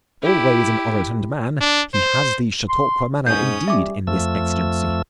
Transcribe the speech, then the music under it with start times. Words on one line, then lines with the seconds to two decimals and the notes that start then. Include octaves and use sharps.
Always an orotund man, he has the Chautauqua manner indeed in this exigency.
0.22 E4 G4
1.61 D4
1.94 C5
2.69 C6
3.27 G#2 C#4 D#6 G6
3.68 G3 E5 D6
4.07 F2 F3 A3 E6